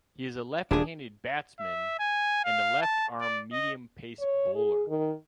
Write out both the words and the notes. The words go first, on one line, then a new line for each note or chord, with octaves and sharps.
He is a left-handed batsman and a left-arm medium-pace bowler.
D#1 D4 G#4
E5
G#5
F5
A5
D5
D#5
C#5
G#4
D#3